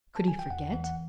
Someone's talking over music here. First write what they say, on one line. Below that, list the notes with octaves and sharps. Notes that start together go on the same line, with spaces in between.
Could he forget?
A5
G#5
G5
E2 F#5
E3
F#5